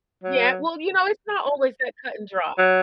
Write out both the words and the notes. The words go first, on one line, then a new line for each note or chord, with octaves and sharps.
Yeah, well, you know, it's not always that cut-and-dry.
F#3
F#3